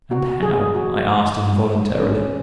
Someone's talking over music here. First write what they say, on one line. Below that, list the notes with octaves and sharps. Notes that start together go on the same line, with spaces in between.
"And how?" I asked involuntarily.
F#4
G#4
F#4
C#4